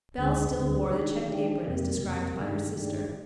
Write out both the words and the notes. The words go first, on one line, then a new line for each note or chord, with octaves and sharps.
Bell still wore the checked apron as described by her sister.
D2 D3 G#3
D2 D3 G#3
D#3 G#3 D4 G4
D#3 G#3 D4 G4
F2 C3 G3 A#3
F2 C3 G3 A#3
G2 D#3 G#3 D4 G4
G2 D#3 G#3 D4 G4